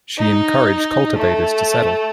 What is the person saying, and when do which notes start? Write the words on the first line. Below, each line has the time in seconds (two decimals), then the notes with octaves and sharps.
She encouraged cultivators to settle.
0.18 D#4
1.16 A3